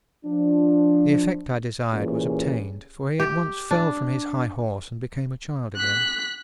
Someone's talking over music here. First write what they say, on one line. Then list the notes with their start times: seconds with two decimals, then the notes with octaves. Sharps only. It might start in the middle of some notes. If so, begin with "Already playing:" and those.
The effect I desired was obtained, for he at once fell from his high-horse and became a child again.
0.25 F3 D4
1.93 A#2 E3 C#4 G4 G#4
3.20 G4
3.71 D4
5.76 F#6 B6